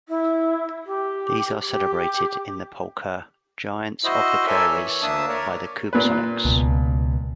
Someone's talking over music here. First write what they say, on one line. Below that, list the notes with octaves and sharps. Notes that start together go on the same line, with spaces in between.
These are celebrated in the polka "Giants of the Prairies" by the Kubasonics.
E4
G4
G4
E4 F#4 C5 D#5
A4 A#4 C#5 D5 E5 G#5
E3 C#5
D2 A#3 D4 E5 A5 D#6
A#4 C#5 D5
A#2 B4
C#2 B2